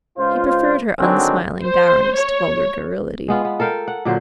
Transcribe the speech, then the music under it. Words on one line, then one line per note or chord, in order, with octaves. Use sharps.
He preferred her unsmiling dourness to vulgar garrulity.
C#2 F4 C5
D3 D#3 F#3 G#3 C4 D4
C5
C#5
G#3 B3 F4
B3
A4 A#4 F5 G5
F#5
A#2 D3 F#3 C5